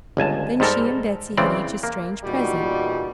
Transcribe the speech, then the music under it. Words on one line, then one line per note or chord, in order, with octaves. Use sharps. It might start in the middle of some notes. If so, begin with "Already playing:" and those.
Then she and Betsey had each a strange present.
G1 C#2 G#5 A5
G#2 G3 A4 A#4
C#3 E3 C4 D5
A#3
E2 A#2 G3 D#4 F#4